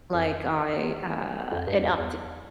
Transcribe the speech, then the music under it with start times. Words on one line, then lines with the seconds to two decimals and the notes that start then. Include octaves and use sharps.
like, I, uh an update.
0.14 F2
0.60 E2
1.52 F2
1.67 G2
1.82 E2
1.98 E2